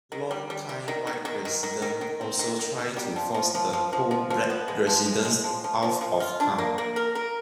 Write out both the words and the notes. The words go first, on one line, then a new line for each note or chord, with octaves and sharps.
Longtime white residents also tried to force the poor black residents out of town.
D#3
G3
G3
G3
D#3
D#3
D#3
D#3
D#3
D#3
D#3
C4
D#3
D#3
D#3
G3
F3
F3
F3
F3
F3
F3
F3
B3
G#3
F3
G#3
G#3
F3
F3
F3
F3
F4
D4
A#3
A#3
A#4
A#4